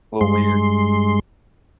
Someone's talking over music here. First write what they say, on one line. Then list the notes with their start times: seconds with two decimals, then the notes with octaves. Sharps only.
little weird.
0.21 G2 G#3 C6